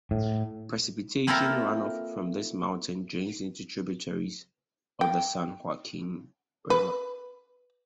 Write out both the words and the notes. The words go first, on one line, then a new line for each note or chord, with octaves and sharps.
Precipitation runoff from this mountain drains into tributaries of the San Joaquin River.
A2
A#3 C4 E4 F4 A4 A#4
G5
B4